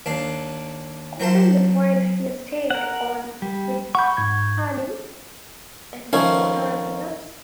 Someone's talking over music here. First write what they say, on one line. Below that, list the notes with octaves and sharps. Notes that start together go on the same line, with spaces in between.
Corder, meanwhile, has stayed on with Honey and his daughter as a nurse.
D#2 D4 F5
F#3 A#4 C5 A5
A#4 F#5
G3
F#5 B5 C#6 G6
G#2 G#6
D#3 F3 A3 C#4